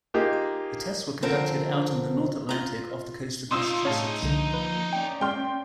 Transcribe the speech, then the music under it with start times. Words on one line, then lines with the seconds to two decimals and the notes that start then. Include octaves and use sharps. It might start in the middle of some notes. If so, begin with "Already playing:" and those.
The tests were conducted out in the North Atlantic off the coast of Massachusetts.
0.14 A#3 D#4 F4 G4 G#4
1.22 D3 F3 C4 A#4
2.49 F4 A#5
3.51 D#4 F4 E5 C6 D#6 E6
3.85 A2 G#4 C#5 F5 A5
4.23 C2 D3 F3 A#3
4.54 B4
4.93 A#3 C#4 D5 G5
5.21 G#3 G5 C6 F6